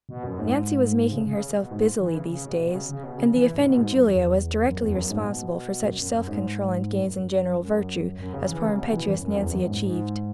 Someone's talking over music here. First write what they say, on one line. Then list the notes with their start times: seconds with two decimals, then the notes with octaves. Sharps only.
Nancy was making herself busily these days, and the offending Julia was directly responsible for such self-control and gains in general virtue as poor impetuous Nancy achieved.
0.09 B2
0.23 F#2
0.38 G#2
1.12 C#3
1.26 C#3
1.56 B2
1.71 G#2
2.00 E3
2.15 C#3
2.30 C#3
2.44 B2
2.59 B2
2.74 C#3
2.89 C#3
3.03 B2
3.18 C#3
3.33 E3
3.54 G#2
3.62 B2
3.77 G#2
3.91 F#2
4.07 E2
4.66 F#2
4.80 E2
4.95 F#2
5.10 G#2
5.24 B2
5.83 F#2
5.98 F#2
6.12 F#2
6.27 G#2
7.01 F#2
7.60 F#2
8.19 F#2
8.33 C#3
8.48 E3
8.63 C#3
8.78 B2
8.93 E3
9.07 F#2
9.22 F#2
9.36 E2
9.51 F#2
9.66 G#2
9.81 G#2